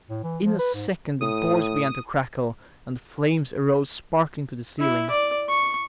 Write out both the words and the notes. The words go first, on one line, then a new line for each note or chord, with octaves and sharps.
In a second the boards began to crackle, and the flames arose sparkling to the ceiling.
A2
E3
F3
B4
G#2
A2 D#6
E4
D5
C#6